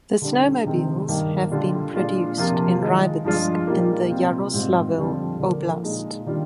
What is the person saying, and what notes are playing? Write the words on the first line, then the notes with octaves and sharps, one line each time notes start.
The snowmobiles have been produced in Rybinsk in the Yaroslavl Oblast.
D3 G3 D4
C3 D#3 G#3 C4
G2 D#3 A#3
D3 G3 D4 F4
A#2 G#3 D4 F4
F2 C3 F3 A#3 F4
D#3 G#3 D#4
G2 F3 G#3 D4 F4
A#2 G3 A#3 D#4
C3 G3 C4 F4
G#2 G3 C4 F4
F2 D3 G3 C4 F4
D3 F3 A#3
A#2 G#3 D#4
D#3 G3 D4 F4